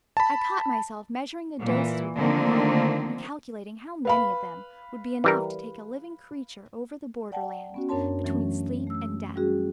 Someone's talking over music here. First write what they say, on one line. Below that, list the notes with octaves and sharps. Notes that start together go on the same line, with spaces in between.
I caught myself measuring the doses with my eye, and calculating how many of them would be enough to take a living creature over the border-land between sleep and death.
A5 B5
A#2 E3
D3 D#3 F3 A3 A#3 C4
B4 F5 B5
E3 G3 A#4
D5 F#5 G5 A5
B3 C#4 F#4
F#2 D4 A#4 C#5 A5 C6
E3 F#3 A3 C#4
A3 E6
G3 C#4 F#4 G#4